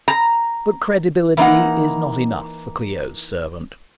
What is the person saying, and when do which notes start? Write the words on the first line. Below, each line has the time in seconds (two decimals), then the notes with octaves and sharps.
But credibility is not enough for Clio's servant.
0.08 A#5
1.37 E3 A#3 D4 D#4 F#5